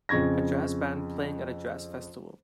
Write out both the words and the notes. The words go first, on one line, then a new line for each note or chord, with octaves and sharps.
A jazz band playing at a jazz festival.
F2 C#3 C#6 G#6 A#6